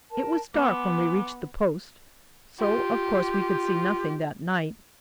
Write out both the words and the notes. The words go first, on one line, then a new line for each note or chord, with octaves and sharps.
It was dark when we reached the post, so of course we could see nothing that night.
A#4 A5
B3 G#5 C6 D6
F4 G4